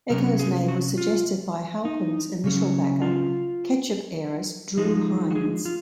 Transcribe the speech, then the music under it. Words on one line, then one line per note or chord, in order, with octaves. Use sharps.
Ecco's name was suggested by Halpern's initial backer, ketchup heiress Drue Heinz.
C3 F#3 C#4 A#4
G#4
F#4
F4
D#4
C#3 F#3 C#4
F4
F3 G#3 D#4
F#4
G#4
F4